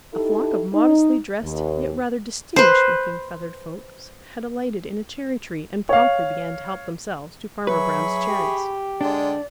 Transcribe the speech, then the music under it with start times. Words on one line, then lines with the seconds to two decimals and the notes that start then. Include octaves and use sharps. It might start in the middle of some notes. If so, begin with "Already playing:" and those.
A flock of modestly dressed yet rather distinguished looking feathered folks had alighted in a cherry-tree and promptly began to help themselves to Farmer Brown's cherries.
0.14 D#4 E4 G4 A4
0.72 D#4
1.43 D#2
2.56 B4 C5
5.89 C#5 F5
7.67 F#3 G#4 B4 E5 B5 C#6
8.28 G4
9.01 D3 G#3 D4 D5 G5